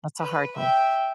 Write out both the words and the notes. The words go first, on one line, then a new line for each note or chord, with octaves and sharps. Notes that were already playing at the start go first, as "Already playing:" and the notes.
That's a hard one.
B4
E5 G5